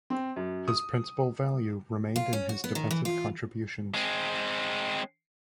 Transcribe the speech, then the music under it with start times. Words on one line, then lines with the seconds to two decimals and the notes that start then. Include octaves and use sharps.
His principal value remained in his defensive contributions.
0.10 C4
0.36 F#2
0.68 D#6
2.16 F4
2.33 C#4
2.49 F#4
2.64 B3
2.75 D#3
2.91 E3
3.05 F4
3.94 G#3 C4